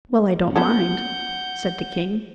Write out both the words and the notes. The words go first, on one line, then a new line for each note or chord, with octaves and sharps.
"Well, I don't mind," said the king.
B3 C#4 A4 F#5 G6